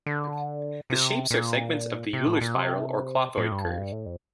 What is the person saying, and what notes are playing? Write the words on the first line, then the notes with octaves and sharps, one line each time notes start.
The shapes are segments of the Euler spiral or clothoid curve.
D3
C3
A#2
C3
A2
A#2
C3
A2
G2
F2
G2
A2
F2